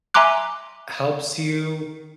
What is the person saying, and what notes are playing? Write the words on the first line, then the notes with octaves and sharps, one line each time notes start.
helps you
E5 G#5 A#5 C6 D6 F#6